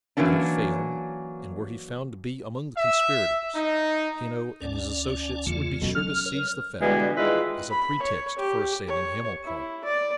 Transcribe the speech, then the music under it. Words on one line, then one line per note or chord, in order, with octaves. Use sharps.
Did it fail, and were he found to be among the conspirators, Hanno and his associates would be sure to seize the fact as a pretext for assailing Hamilcar.
E3 F#3 A#3 C#4 D4
E5
D#4
D2 C#4 D5
E2 C#3 A3 F4
B2 F#3 C#4 A4
F6
A#4 C#5
B2 D3 E3 G3 G#3
D#3 G#3 E4 F4 B4
B5
C#5
G4
C#5
E4
D5